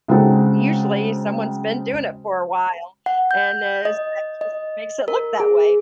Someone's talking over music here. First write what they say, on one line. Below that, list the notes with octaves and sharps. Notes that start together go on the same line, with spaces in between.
Usually someone's been doing it for a while, and is that just makes it look that way,
C#3 G#3 C4 D#4 F#4 A4
F#5
G6
D#5
D#5
A#4
G#4